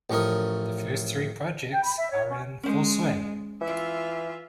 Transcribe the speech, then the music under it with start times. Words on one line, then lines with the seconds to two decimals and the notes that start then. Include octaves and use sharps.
The first three projects are in full swing.
0.10 A1 F3 C#4 A#4 D#5
1.71 G5
1.83 B5
1.97 E5
2.10 C#5
2.29 C#4
2.63 G#3 C#4 C5
3.61 E3 F4 E5